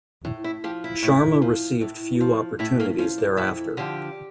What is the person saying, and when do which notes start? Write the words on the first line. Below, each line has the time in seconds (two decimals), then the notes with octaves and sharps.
Sharma received few opportunities thereafter.
0.25 A2
0.44 E4
0.64 F3 G4
0.84 E4
1.03 A2
1.42 F3
1.81 A2
2.20 F3
2.59 A2 E4
2.80 A#3
2.98 F3 C#4
3.18 D4
3.37 F2 E4
3.77 D3 F3 G4